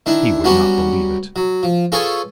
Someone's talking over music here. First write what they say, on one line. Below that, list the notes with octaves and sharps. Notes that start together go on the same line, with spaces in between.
He would not believe it.
D#3 D4 E4
F#3 G3 B3 C#4 F#4 G4
F#3
F3
F4 G#4 A4 B4 C#5 G#5